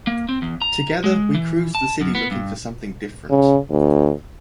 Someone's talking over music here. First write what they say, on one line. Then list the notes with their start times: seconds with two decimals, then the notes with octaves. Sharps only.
Together, we cruised the city looking for something different.
0.07 A#3
0.29 C4
0.42 E2
0.62 A#5
1.04 G#3
1.34 E3
1.75 A5
2.01 F#2
2.15 B3
2.31 G2
3.30 C#3
3.70 D2